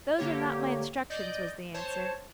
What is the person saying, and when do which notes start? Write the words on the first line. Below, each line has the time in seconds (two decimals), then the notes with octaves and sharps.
'Those are not my instructions,' was the answer.
0.18 D3 A#3 G4 C#5
1.10 D5 D#5 G6
1.74 C5 C#5 A5